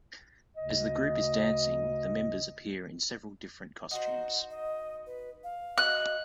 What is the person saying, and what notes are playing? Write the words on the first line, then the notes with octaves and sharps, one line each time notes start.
As the group is dancing, the members appear in several different costumes.
D2 C#3 D#5
D#4 F#4 C5 F#5
D#5
B4
F5
D#4 E4 F#4 F#6